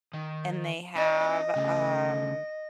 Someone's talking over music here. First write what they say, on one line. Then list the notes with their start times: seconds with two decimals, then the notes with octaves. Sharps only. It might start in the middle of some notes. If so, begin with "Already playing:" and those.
And they have, um
0.14 D#3
0.96 D#4 D5 D#5
1.56 C#3 A3